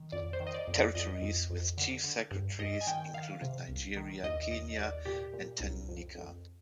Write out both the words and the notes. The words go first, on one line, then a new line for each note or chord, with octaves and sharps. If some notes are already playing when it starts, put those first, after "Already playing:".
Territories with Chief Secretaries included Nigeria, Kenya and Tanganyika.
Already playing: D#3
F2 D5
C5
D#3
D#5
D5
F2
D5
F2 D#5
F2
F2
D3
D3
G2
G2 D#5
G#5
D#3 G5
D#3 F5
C3
C2
D#3
D#2 D#5
D#2 D#5
D#2 D5
A#2 G4
A#2
C2
F2
F2